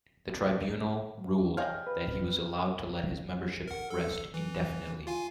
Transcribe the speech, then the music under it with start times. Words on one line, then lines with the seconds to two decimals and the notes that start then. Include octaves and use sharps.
The tribunal ruled that he was allowed to let his membership rest indefinitely.
1.57 G4 G#4 A#4 C#5 D#5 F5 F6
1.87 B4
3.68 A#4 F#5
3.90 A4
4.34 E3
5.07 F4 F5 G#5